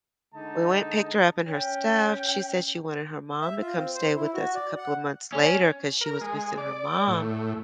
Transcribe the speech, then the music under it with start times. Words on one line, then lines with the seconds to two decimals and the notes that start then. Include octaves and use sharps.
we went picked her up and her stuff. She said she wanted her mom to come stay with us a couple of months later 'cause she was missing her mom. And
0.35 D3 G#3 D#4 A5
1.47 C#4 G5
3.42 E5
3.60 F4
3.77 C4
3.95 C5
4.16 E4
4.34 F#4
4.55 D5
4.78 F#5
5.33 C#4
6.01 A#4
6.21 G#3
6.58 D5
7.07 A2